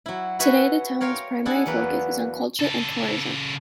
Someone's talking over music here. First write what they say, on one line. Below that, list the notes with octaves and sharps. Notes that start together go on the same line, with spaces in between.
Today, the town's primary focus is on culture and tourism.
F#3 E4
E4 F#4 B4 C#5 E5 G#5
A#4 C#5 F5 G5 C6
D4 E4 G#4 F#5 G#5 A5
E2 F#3 A#3 B4
C#3 A4